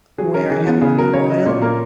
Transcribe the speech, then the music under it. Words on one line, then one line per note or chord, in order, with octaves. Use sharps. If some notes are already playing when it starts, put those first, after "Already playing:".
where I have them in the oil,
F#3 G#4
C#4 A#4
E3 G#4
B3
C#3 G#4
F#3 A#4
C#3 C#5
F#3 D#5
A#2 C#5
A#3 A#4